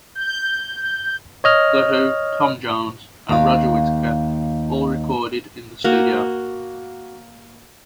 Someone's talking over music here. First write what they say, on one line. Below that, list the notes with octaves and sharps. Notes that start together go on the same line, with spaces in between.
The Who, Tom Jones, and Roger Whittaker all recorded in the studio.
G6
C#5 D#5 F6
D#2 F5
A#3 F#4